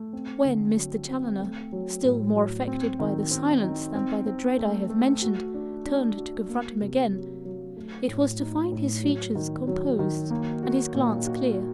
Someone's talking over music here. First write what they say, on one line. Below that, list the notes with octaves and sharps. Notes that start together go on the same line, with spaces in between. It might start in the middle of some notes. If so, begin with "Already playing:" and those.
When Mr. Challoner, still more affected by the silence than by the dread I have mentioned, turned to confront him again, it was to find his features composed and his glance clear.
Already playing: A3
C4
D3
F#3
C4
A3
F#3
A2
F#3
C4
D#3
C4
D#4
C4
C4
A3
A3
F#4
D4
D4
F#4
A#3
C3
F#3
F#3
A3
A2
D#4
A2
F#3
D#3
F#3
D#3
A#3
F#4
A#2
F#4